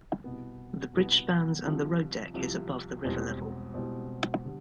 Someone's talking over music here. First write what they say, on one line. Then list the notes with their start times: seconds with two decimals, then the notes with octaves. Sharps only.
The bridge spans and the road deck is above the river level.
0.24 C2 B2 B3
0.94 C2 B2 B3
1.64 C2 C3 F3
2.34 C2 C3 F3
3.04 E1 E2 B2 G3 C4
3.74 E1 E2 B2 G3 C4
4.44 D3 G3